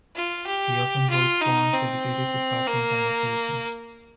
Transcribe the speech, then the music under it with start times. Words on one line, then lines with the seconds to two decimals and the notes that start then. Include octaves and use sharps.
He often wrote poems dedicated to patrons and occasions.
0.16 F4
0.47 G4
1.10 F4
1.42 D#4
1.73 C4
2.67 A#3